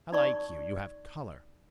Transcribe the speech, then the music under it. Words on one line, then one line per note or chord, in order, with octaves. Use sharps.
I like you--you have color.
D#4 D5 C#6